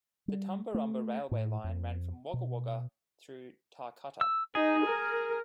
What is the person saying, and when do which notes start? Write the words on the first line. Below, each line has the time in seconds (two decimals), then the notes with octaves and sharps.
The Tumbarumba railway line ran from Wagga Wagga through Tarcutta.
0.28 G3
0.74 A3
1.31 A2
1.64 F2
2.33 B2
4.21 E6
4.55 D#4 G#4
4.86 A#4